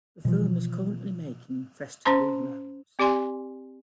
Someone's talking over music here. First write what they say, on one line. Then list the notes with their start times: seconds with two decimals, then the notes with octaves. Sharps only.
The film is currently making festival rounds.
0.25 B2 E3 F3
2.05 C#4 C5 A5 A#5 C6
2.99 C4 G4 D5 G#5 C6